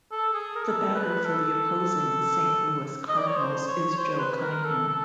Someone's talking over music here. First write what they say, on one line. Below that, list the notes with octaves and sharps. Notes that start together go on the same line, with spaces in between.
The batter for the opposing Saint Louis Cardinals is Joe Cunningham.
A4
G#4
A#4
A4
B4
A4
D#5
D5
C#5
C5
C#5
C#5
C5
B4
A#4
A4
A4